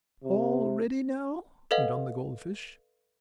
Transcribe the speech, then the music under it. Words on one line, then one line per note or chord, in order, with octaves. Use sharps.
"All ready now!" went on the gold fish.
C3
A4 B4 D#5 F5 F#5